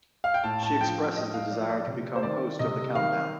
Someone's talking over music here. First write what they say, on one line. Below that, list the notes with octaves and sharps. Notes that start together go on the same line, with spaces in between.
She expresses the desire to become host of the countdown.
F5
G5
A2 A5
A5
F3 G5
A2 D#5
F5
F3 D5
D5
C3
C5
D#3 D5
C3 D#5
D#3 F5